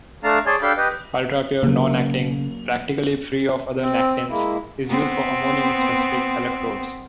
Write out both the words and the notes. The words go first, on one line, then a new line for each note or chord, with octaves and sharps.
Ultrapure nonactin, practically free of other nactins, is used for ammonium-specific electrodes.
A3 D4 F5 A5 A#5
G#4 C#5 D5 G#5 A5 C6
D4 G4 A4 F5 B5 G6
G4 B4 D#5
C#3 F#3 A#3
C4
G#3 A#3 E4
B3 C4